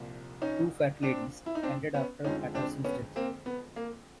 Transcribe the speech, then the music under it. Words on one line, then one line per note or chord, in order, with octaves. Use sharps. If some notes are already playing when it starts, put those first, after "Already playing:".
"Two Fat Ladies" ended after Paterson's death.
Already playing: C2 A#2 F3
C#4 D#4
C4 D4
E4
D#4
C4 D4
B3 C#4
F2 D3 F3 G#3 C#4 D#4
C4 D4
B3 C#4
A#3 C4
B3
A#3